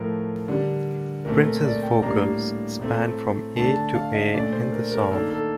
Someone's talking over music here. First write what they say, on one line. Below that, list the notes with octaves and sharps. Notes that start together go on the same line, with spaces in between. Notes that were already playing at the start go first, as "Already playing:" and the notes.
Prince's vocals span from A to A in the song.
Already playing: A2 F3 A3 A#4
D3 G3 D4
A#2 A3 C4 A#4
A#4
D5
G5
A2 G3 A#3 D4 A#5
A2 A3 C4
D3 A3 D4 A5
A5
F5
D#5
A#2 A3 D4 D5
C5
A#4
A#4
D#3 A#3 D4 A4
A4